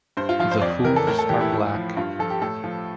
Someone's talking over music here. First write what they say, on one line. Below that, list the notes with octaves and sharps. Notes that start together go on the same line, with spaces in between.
The hooves are black.
G2 C5
F4
F3 F4
C5
F2 D5
E3 A#4
A4
A2 A#4
A4
E3 G4
E4
A2
F3
G2 F4
F3 A4
G4
A2 A4
F3